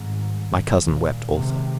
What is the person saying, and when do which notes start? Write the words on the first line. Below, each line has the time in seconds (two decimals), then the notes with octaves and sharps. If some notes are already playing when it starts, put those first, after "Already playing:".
My cousin wept also.
Already playing: G#2 D#3 G3 C4
0.80 A#2
1.34 C3 D#3 G#3 C4